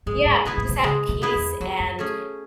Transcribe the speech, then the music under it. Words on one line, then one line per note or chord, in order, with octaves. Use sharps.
yeah, just at peace and
G#2 G#3
A2
G#2
B2 B3 E4 G#4 B4
A2
B2
C#3 G#3
B2
B3 E4 G#4 B4
E2
F#2 F#3
F#2
A3 C#4 G#4